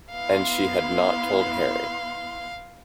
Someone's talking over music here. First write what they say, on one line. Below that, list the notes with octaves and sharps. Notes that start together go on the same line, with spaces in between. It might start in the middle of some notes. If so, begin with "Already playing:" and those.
And she had not told Harry!
B3 E4 F5 C6